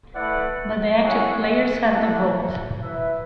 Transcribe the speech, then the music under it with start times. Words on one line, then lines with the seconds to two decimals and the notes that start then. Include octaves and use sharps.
But the active players have the vote.
0.15 A3 E4 B4 D5 F#5
1.04 E4 G#4 C#5 F#5
1.92 A3 E4 A4 D5 F#5
2.81 E4 B4 E5